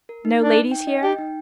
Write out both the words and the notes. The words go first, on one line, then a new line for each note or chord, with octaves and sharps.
No ladies here?
A#4
D#4
D4 D#4
D#4
G5
D#5
G4 G5
D#4